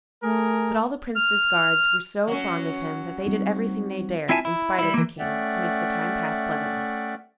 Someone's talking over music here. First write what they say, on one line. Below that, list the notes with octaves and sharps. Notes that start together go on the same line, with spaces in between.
But all the Princess guards were so fond of him that they did everything they dared, in spite of the King, to make the time pass pleasantly.
A3 G#4 A#4
F6
F#3 C#4
G3 C4 D#4
C4 E4 F4 E5 G#5 A5
E4
G3 E4
E3 A#3
A3 C#4 D5 E5 F#5 G5